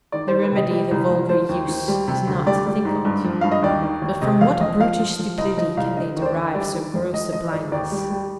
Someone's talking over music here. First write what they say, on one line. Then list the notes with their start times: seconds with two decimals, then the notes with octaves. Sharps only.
The remedy the vulgar use is not to think on't; but from what brutish stupidity can they derive so gross a blindness?
0.12 D#3 D5
0.28 D#3 C5
0.42 B4
0.52 C3 D#5
0.71 G3
0.91 C2
1.10 C2
1.29 F3 C5
1.49 D#2
1.68 D#2
1.88 G3
2.08 C3
2.28 D2
2.46 G3 D5
2.66 G3
2.85 G#2
3.05 G2
3.24 F3
3.41 G2 F5
3.51 D#5
3.63 D#2 D5
3.82 D#3
4.02 D#2
4.21 C3 D#5
4.41 F2 F5
4.61 F2 D#5
4.80 F3 F5
4.99 F3
5.19 F3
5.38 C2 D#5
5.57 F3 D#5
5.77 C2 F5
5.97 D3 D#5
6.17 D#2
6.22 C5
6.26 D5
6.35 D3
6.54 G3 D5
6.74 D#3
6.94 F2
7.13 F3 D#5
7.32 F3 D#5
7.52 G#2 D5
7.72 D#2 D5
7.92 G3
8.10 G3